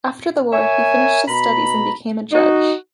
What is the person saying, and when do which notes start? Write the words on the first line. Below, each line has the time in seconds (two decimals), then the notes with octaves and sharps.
After the war he finished his studies and became a judge.
0.52 A#4 C#5 E5 G#5
1.28 B2 A#5 B5
2.32 D#4 F#4